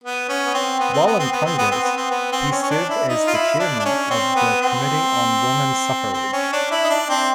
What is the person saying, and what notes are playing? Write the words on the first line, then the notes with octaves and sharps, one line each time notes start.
While in Congress he served as the chairman of the Committee on Woman Suffrage.
B3
C#4
B3
C4
B3
C4
B3
C4
B3
C4
B3
C4
B3
C4
B3
C4
C#4
C#4
D4
E4
D#4
F4
E4
D4
D4
C#4
C4
B3
C4
C4
C#4
D4
E4
D#4
D4
C4